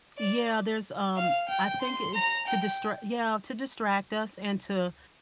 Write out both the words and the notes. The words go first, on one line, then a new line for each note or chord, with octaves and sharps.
Yeah, there's, um, I think it's to distra yeah, to distract us and to
D5
F5
G5
C6
A#5
G5